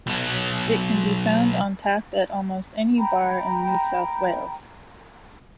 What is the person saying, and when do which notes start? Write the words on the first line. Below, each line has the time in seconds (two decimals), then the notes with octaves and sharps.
It can be found on tap at almost any bar in New South Wales.
0.07 B1 F#3
2.97 G5 A#5 B5